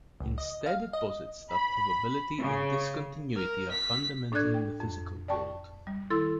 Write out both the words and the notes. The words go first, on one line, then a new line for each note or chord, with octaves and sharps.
Instead, it posits that probability, and discontinuity, are fundamental in the physical world.
C#2
D#5
F5
D#5
B5
C#3
A#4
B6
A2 D4 A4 D5 F#6 G#6
G5
F2
D5 G5 A5 C#6
G3
D#3 E4 A4 C6 E6 A6